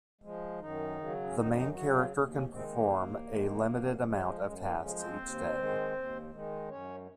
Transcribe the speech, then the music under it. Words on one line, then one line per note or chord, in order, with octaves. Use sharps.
The main character can perform a limited amount of tasks each day.
F3 G#3
F#2 D#3 D#4
C#3 F#3
C#4
F#2 D#3 D#4
D#3 D#4
C#3 F#3 F#4
F3 F4
D#2
C#3 C#4
C3 D#3 G#3 C4
A#3
D#2
D#3 G#3
F#2
F3 G#3
F#2 G#3
A#3
C#3 F3 G#3 C#4
C4 C5
D#2
D#3 G#3
D#2
D#3 G#3
F#2 C#4 C#5